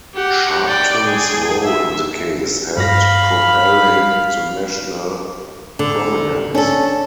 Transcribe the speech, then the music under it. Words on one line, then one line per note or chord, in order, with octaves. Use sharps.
Sharpton's role in the case helped propel him to national prominence.
G4 F#5
D5 G5
G#4
E5
G2 F5 B5 A#6
D3
C#4 D4 A4